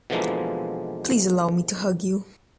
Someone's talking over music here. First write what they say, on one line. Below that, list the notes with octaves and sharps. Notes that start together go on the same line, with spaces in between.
Please allow me to hug you.
B2 D3 E3 F3 G#3 A#3